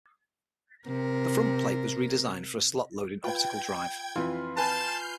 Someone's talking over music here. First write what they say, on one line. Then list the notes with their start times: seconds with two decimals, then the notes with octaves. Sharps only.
The front plate was redesigned for a slot-loading optical drive.
0.88 C3 A#4
3.24 F4 B4 G5 G#6
4.15 F2 E3 F4 B4
4.57 B4 G#5 A5 F6 G6 C7